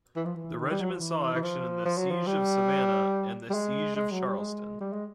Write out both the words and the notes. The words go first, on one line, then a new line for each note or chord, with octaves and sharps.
The regiment saw action at the Siege of Savannah and the Siege of Charleston.
E3
F3
E3
D#3
G3
F#3
F3
E3
E3
F3
F3
F#3
F3
G3
G3
G#3
G#3
F#3
G3
G#3
G3
G#3